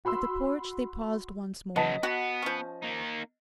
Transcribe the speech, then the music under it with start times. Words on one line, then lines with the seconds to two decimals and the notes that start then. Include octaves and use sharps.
At the porch they paused once more.
0.05 F#4 B5 C6 E6
1.76 C#3 F#3 B3 D#5 A5 B6
2.03 B3 F#4 F#5
2.42 F3 C#4
2.83 A#3 D#4